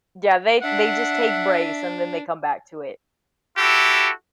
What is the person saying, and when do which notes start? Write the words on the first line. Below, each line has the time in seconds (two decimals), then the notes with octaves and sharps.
Yeah, they they just take breaks, and then they come back to it.
0.63 D4 E5 F#5
3.57 E4 F#4 G4 A4